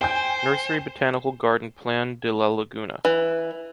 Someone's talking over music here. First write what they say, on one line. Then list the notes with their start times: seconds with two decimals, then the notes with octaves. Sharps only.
Nursery Botanical Garden Plan de la Laguna.
0.01 C5 G5 G#5 G6
3.05 E3